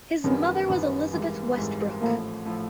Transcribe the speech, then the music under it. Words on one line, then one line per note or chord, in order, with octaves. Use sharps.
His mother was Elizabeth Westbrook.
F#1 F#2 D#3 G3 B3 C#4
F#1 F#2 D#3 G3 B3
G#1 G#2 E3 G3
G#1 G#2 E3 G3
A1 A2 F3 A3 A#3
A2 F3 A3